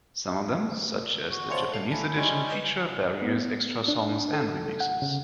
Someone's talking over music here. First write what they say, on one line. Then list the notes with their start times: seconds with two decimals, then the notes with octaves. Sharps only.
Some of them, such as the Japanese edition, feature various extra songs and remixes.
1.30 F#4
1.50 D2 B2 F4 C5 C#5 F#5 A5
1.74 F#2 B2 D4 A4 C#5 F5
1.91 E4 G#5 A5
2.16 G3 G#3 C#4 F#4
2.48 B4 D#5 G6
3.22 B3
3.88 D4
4.33 A4
4.80 F#5
5.02 C#3